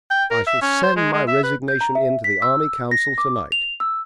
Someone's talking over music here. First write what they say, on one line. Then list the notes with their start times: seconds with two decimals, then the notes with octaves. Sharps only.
I shall send my resignation in to the Army Council to-night.
0.11 G5
0.31 A#4
0.47 E5
0.62 C#4
0.83 C5
0.97 G#3
1.13 G#3
1.28 E5
1.44 B4
1.68 G6
1.81 A#5
1.95 E5
2.24 B6
2.42 E6
2.91 A#6
3.18 D6
3.52 F7
3.80 E6